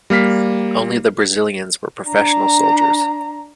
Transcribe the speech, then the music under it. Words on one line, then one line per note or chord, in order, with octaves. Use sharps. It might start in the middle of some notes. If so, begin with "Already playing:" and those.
Only the Brazilians were professional soldiers.
G3 A#3 F6 B6 C7
D4 A#5